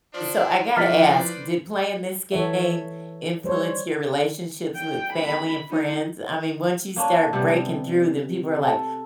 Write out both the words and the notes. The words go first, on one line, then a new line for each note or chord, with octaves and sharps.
So, I gotta ask, did playing this game influence your relationships with family and friends? I mean, once you start breaking through, then people are like,
F3 D4
F3 E4 B4 C5 D5 F6 A6 B6
E3 A4 C#5 E5
G3 C5 C#5
G5
B5
D#4
A#3 C#4 D4
C3 G3 B3 F#5
A4